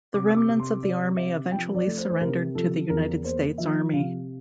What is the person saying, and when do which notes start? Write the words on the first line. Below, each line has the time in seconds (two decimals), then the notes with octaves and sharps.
The remnants of the army eventually surrendered to the United States Army.
0.13 C3 D6
0.27 E6
0.36 D6
0.49 C3
0.60 C6
0.83 C3 D5
1.17 C3 E5
1.52 F3 G5
1.74 D5
1.86 A3
1.98 C5
2.10 C5
2.21 C3 A#4
2.55 F3 A4
2.90 E2 A#4
3.24 A#3 C5
3.58 F3 E5
3.93 C3 F5